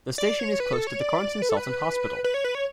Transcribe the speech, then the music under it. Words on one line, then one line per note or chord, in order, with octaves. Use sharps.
The station is close to the "Corentin Celton Hospital".
D5
C#5
B4
A4
C#5
D5
B4
A4
B4
B4
C#5
B4
C#5